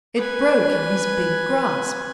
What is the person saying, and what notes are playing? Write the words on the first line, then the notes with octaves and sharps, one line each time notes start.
It broke in his big grasp.
B4 G#5